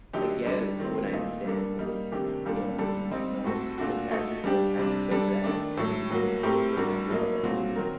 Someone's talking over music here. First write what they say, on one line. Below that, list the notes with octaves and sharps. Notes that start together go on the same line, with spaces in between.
like, yeah, they're cool, and I understand 'cause it's, you know, you can you can almost detach or a attach yourself to that happy ending to make you feel happy about that movie.
D3 F#3 A3 D#4 G4
G3 D4 A4
D#3 F#3 C4
A#2 A3 D#4
G3 A#3 D4 A4
G3 A#3 D#4
C3 D#3 A3 D4 G4
A#2 G3 A#3 D4 A4
D3 G3 D4 A4
G3 C4 D#4
A2 A3 C4 F#4 A4
A#2 A3 D4 F#4
A3 D#4 F#4 A4
G3 D4 G4
C3 G3 D4
G3 D4 A4
D#3 A3 D4
A2 F#3 A3
A2 F#3 A#3 F#4
A2 A3 C4 G4 A#4
A2 G3 D4 F#4 A#4
A2 F#3 A#3 D#4
A#2 F#3 C4 F#4
D#3 F#3 C4 F#4 A#4